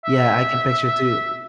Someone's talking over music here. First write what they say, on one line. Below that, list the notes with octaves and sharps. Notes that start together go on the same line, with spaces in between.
Yeah, I can picture it, too
E5